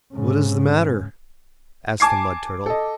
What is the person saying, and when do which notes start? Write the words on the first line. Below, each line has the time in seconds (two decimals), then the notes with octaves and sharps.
"What is the matter?" asked the Mud Turtle.
0.13 G#2 C#3
2.00 G#5 A5 D6 G#6 C7
2.66 A4 D#5